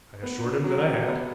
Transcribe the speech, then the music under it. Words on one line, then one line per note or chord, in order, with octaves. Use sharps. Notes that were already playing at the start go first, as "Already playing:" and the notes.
I assured him that I had.
B3
D4
F#3
G4
B3